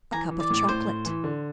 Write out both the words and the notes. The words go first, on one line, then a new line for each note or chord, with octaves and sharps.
"A cup of chocolate."
E3 G#5 A#5
E3
D5
A2 D5
A2 C5
A2
E3
D3